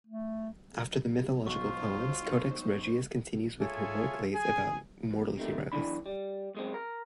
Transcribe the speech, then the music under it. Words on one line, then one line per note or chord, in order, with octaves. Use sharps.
After the mythological poems, Codex Regius continues with heroic lays about mortal heroes.
A3
B1 D#4 F4 C5 C#6
F4 G#4 A4 C#5 E5 G#5
G#4 G#5
E2
C3 D#3 A3
B1 E3 D4 B5
G3
F#2 G#3 C4
A#4